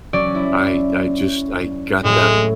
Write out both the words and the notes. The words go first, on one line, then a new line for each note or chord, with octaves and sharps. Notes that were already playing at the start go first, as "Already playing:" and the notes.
I I just I got that
F#3 C#4 D5
E4
A2 F#3 G#3